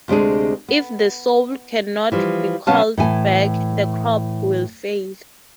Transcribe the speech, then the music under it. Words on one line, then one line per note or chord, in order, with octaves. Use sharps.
If the soul cannot be called back, the crop will fail.
D2 C3 G#3 D4 G#4
B3
E3 F3 G3
B2 F#3 B3 C#4 F5 A5
A2 E3 G#5